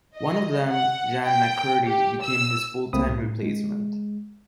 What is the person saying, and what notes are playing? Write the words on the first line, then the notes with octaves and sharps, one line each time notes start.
One of them, Xan McCurdy, became his full-time replacement.
D#5
F#5
G5
G4
E6
C2 A3 A#3 C4 B5 D#6
A2
G#3